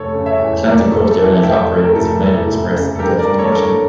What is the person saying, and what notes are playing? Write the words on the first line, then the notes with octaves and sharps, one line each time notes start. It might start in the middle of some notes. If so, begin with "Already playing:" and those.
Atlantic Coast Airlines operated as United Express and Delta Connection.
Already playing: F1 A4 C#5
C#3
C#5 E5
E2
F1 A#4 D5
A4
F1
A4
E2
A4
F1 E5 G5
C#3
A#4
F1 A4
E2 A4
F1
C#3
A4
G2 G4 A#4
A#4 D5
G3
A4 C#5
D3 A#4
A4 C#5